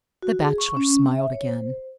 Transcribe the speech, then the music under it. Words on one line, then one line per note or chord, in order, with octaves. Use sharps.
The Bachelor smiled again.
F#4
G#4
C#6
C#4
E5
C#5
C5